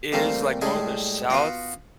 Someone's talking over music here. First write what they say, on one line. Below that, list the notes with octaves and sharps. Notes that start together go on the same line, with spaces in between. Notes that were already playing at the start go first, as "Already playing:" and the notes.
is, like north or south.
E3 G3 A3 A#3 C4
A2 G3 G#3 E4 G#5 A5
B3 F4 F#4